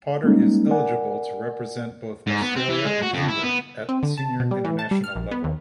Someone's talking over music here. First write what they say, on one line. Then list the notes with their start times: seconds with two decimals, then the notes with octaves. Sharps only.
Potter is eligible to represent both Australia and England at senior international level.
0.24 G3 G#3 A#3 C#4 D#4
0.71 A#4 D5 F#5 G#5
2.27 G#2
2.42 B3
2.56 C4
2.69 E3
2.85 G#3
3.02 F#4
3.14 F2
3.29 E4
3.44 B3
3.89 C4
4.03 D3
4.17 A5
4.40 B2
4.51 G3
4.65 E3
4.79 A5
4.91 G3
5.04 F6
5.16 A#1
5.31 B3
5.44 D#2